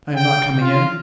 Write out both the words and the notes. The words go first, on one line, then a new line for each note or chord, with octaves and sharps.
I am not coming in.
G5
F4